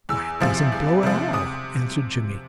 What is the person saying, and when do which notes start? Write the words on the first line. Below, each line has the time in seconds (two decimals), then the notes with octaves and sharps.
"Why, it doesn't blow at all," answered Jimmie.
0.09 E2 E6
0.40 C3 F3
0.72 E2
1.03 C3 F3
1.33 C3 D#6